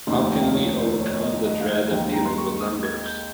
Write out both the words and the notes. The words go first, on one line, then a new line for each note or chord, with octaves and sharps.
How can we overcome the dread of dealing with numbers?
F1 D#2 D#3 C6
G5
F5
C#5
C5
C#5
C#5
D#5
D#5
F5
F5
D#2 D#3 G#3 G5
G5
A#5
C6
C#6
C#6
D#6
G#6
G6